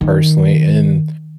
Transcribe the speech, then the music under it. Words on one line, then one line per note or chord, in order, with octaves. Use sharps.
personally, and,
D#3